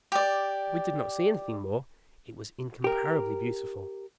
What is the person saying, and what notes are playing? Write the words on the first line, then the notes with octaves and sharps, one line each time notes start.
"We did not see anything more: it was incomparably beautiful."
G4 D5
G4 A#4